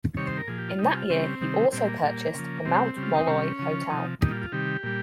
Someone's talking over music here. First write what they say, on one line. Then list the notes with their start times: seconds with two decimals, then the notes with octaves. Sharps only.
In that year he also purchased the Mount Molloy Hotel.
0.17 C3 D#3 G3 C#5
0.27 C5
0.37 A#4
0.48 A#2 F3 G#4
0.58 G4
0.69 F4
0.79 C3 G3 D#4
0.94 F4
1.10 C#3 G3 C4
1.41 C3 D#3 G3
1.72 A#2 G3 C4
1.88 A#3
2.03 A#2 G3
2.35 C#3 F3
2.65 C3 G3 C4
2.96 C#3 G3
3.03 F4
3.15 D#4
3.27 C3 G3 C#4
3.59 C#3 F3
3.90 C3 F3 D#4
4.21 A#2 G3 D#4
4.31 F4
4.41 F4
4.52 C3 D#3 G3 G4
4.83 A#2 G3